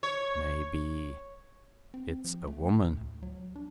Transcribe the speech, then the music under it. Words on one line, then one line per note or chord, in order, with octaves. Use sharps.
Maybe it's a woman.
C#5
C4
F3
A3
A2
D2
F#3
D4